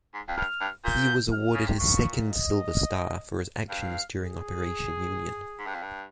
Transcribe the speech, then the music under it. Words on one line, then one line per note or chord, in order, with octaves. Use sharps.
He was awarded his second Silver Star for his actions during Operation Union.
G#2
F2
G2 F6
G2
A#2 G6
F6
C#3
C3
A#2 C#6
D#5
G2 F5
G#4
G#2
G2
F2
G2